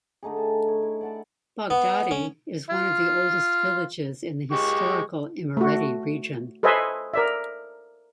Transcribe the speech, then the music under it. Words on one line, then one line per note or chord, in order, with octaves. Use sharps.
Baghdati is one of the oldest villages in the historical Imereti region.
D3 A3 D#4 G#4
A5
C#5
E4
D5 F#5 A5
B3
C#4
F4
G#3 G4 C#6
A3 F#4
A4 B4 C5 D#5 E5 G#5
A#4 D5 E5